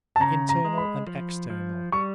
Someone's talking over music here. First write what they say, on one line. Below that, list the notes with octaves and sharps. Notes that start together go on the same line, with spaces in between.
The Internal and External.
A5
C#3 A#5
A#5
G#3
B5
F3
F3
G3 C#6